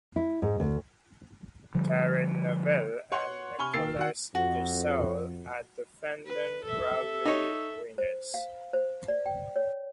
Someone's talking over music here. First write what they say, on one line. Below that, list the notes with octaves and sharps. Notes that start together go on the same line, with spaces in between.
Thierry Neuville and Nicolas Gilsoul are the defending rally winners.
E4
G#2
D2
D3 F3 G3
C#5 F#5 C6
C3 G#5 B5 C#6 F6 G7
D#3 A#3 G5 E6 A6 C7
D#3 F#4 F#5
F2 F#4
B4
A4 E5
D#4 C#5
C5
F5
C5
D5
G5
C#5